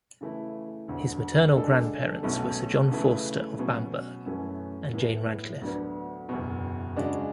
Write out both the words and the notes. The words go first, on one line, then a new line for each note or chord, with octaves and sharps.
His maternal grandparents were Sir John Forster of Bamburgh and Jane Radcliffe.
C#3 E3 A3 E4
E1 D2 D3
D3 G#3 D4 A4
B1 B2 A3 C#4
C#3 E3 A3
B2 F#3 C#4
F#2 E3 A3 C#4
A2 E3 B3 E4
D2 D3 F#3 B3 D4
F#1 E2 B2
C#3 G#3 D4 F#4